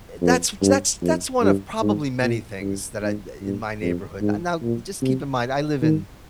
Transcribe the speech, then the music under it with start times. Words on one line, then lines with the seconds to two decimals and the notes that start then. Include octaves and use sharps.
that's w that's that's one of probably many things that I eh, in my neighborhood. N now just keep in mind, I live in
0.22 F2
0.62 G2
1.02 F2
1.42 G2
1.82 G#2
2.22 A#2
2.61 G2
3.02 G#2
3.42 G2
3.82 F2
4.22 G#2
4.62 A#2
5.02 C3
5.82 D#3